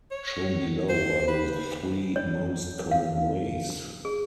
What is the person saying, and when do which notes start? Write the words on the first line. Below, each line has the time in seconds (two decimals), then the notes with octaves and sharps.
Shown below are the three most common ways.
0.11 C#5
0.89 C5
1.28 B4
2.16 C#5
2.91 F5
4.05 G#4